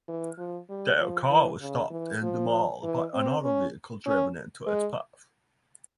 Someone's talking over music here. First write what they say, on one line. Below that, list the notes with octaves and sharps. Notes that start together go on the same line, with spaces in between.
Their car was stopped in the Mall by another vehicle driven into its path.
E3
F3
G3
F3
E3
C#3
E3
F3
E3
C4
C#4
C#4
G#3